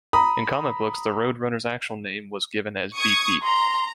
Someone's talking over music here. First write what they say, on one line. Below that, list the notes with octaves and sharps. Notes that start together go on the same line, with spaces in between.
In comic books, the Road Runner's actual name was given as "Beep Beep".
A#5 B5 D#6
C#6 D#6 G#6
A#5 C6